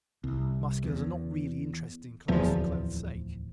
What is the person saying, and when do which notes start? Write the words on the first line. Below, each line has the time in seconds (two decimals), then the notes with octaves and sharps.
Musculars are not really interested in clothes for clothes' sake.
0.24 C2
0.84 E2
2.28 D1 E2 F3